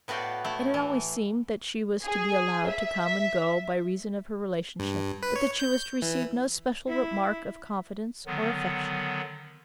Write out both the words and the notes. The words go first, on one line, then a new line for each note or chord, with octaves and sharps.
It had always seemed that she was to be allowed to come and go by reason of her relationship, but that she was to receive no special mark of confidence or affection.
A2 B3 F#4 D5 F5 G5
A3 E4
E3
G#4
E5
G2
B4
C#5
G6
E3
E4
D3 D#3 F#3 B3